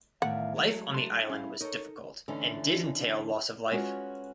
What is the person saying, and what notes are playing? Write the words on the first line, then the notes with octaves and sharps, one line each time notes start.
Life on the island was difficult, and did entail loss of life.
E2 A2 D#3 F5 F#5
F#3 G#3 A3
D4 C6
G3 C#4 E4 F5
D#4 A4 A#4 C#5
D3 E3 A3 C#4 D#4
G#3 C#4 F4 F#4 B4 C#5